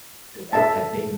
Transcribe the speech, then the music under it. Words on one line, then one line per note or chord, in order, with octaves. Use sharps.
the fact that they
A4 E5 A5